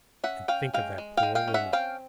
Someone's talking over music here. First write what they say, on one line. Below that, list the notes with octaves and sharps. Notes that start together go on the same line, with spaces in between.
And think of that poor woman!
C#4 E5 F#5
C#4 F5 G5
G#3 F5 G5
G#3
F5 G5
G#3
F5 G5
C#4
E5 F#5
C4 F5 G5